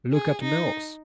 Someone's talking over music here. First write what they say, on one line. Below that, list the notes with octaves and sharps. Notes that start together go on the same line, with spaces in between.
Look at Mills!
G#4
D#4